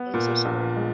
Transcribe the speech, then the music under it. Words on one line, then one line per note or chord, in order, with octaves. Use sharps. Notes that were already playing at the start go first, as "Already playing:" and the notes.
I'm so sorry.
Already playing: B3
A#2
A#1
G#3